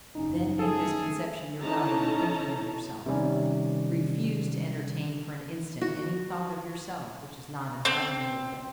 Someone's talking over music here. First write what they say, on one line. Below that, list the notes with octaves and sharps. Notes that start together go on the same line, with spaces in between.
Then make this conception your guide in thinking of yourself; refuse to entertain for an instant any thought of yourself which is not in harmony with it.
F#1 E2 C#4 D#4
G#3 A3 G#4 A4
C#4 D#4 E4 A4 A5 A#5
C3 D#3 G3 C#4
F#4
C4